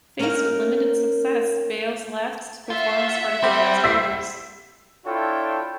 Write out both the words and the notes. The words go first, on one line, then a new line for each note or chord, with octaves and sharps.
Faced with limited success, Bailes left to perform as part of The Bailes Brothers.
A#3 C#4 D#4 A#4 F5
F4 E5 F#5
G3 C4
E6 B6 C7
D4 E4 F4 A4 C#5 G5